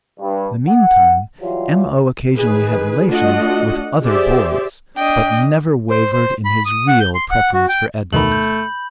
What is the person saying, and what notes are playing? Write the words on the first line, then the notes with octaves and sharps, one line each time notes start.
In the meantime M.O. occasionally had relations with other boys, but never wavered in his real preference for Edmund.
G2
F#5
E3 F#3 G3 F4 G4 C#5
D#3 G#4 B4
A3 D4 F4 F#4 D#5 F#5
G4 G#4 C5 D5 E5
D4 D#5 G5
C5
C5
B5
D#6
F#5
G6
C6
F#5
F#4
G5
D2 B2 D#3 A3 B5 F#7
G6